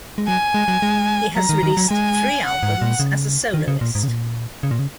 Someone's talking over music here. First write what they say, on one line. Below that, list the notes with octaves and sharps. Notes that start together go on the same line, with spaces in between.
He has released three albums as a soloist.
G#3
F#3 G#5
G#3
F#3
G#3
F#3 A#5
D#3
D#3
F#3
G#3 G#5
F#5
G#2
A#2
C#3
D#3
C#3
A#2
G#2
C#3
A#2
C#3
A#2
C#3